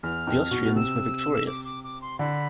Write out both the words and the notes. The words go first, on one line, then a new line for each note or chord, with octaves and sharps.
The Austrians were victorious.
E2 F6
F2
B2
B2
C3 E6
D6
D6
D6
C6
D3 B5